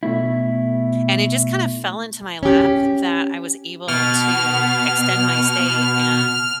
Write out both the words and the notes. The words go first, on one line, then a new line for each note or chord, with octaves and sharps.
And it just kind of fell into my lap that I was able to extend my stay and
B2 A3 E4
C#4 G4
B2 F6